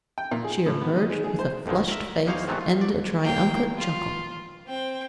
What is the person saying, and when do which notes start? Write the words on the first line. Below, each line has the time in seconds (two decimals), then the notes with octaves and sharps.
She emerged with a flushed face and a triumphant chuckle.
0.18 G5
0.31 A#2
0.44 G#4
0.66 A2
0.81 B3
0.96 D#4
1.10 G#3
1.24 G#4
1.39 C5
1.66 A1 F2 D3 D#3 G#3
1.88 A#4 E5
2.26 E2 A#3 D#4 C5 C#5 F5
2.47 G#2 C3 F#3 A3 B3 C4
2.61 F4
2.81 D5
3.23 A#3 G5
3.77 F4
4.66 C4 G5